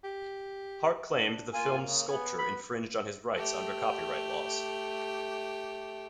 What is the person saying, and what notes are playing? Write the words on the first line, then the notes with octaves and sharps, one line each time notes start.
Hart claimed the film's sculpture infringed on his rights under copyright laws.
G4
D4
A#3 F4 G#5
C#3
B3 G#5
B5
A3 G4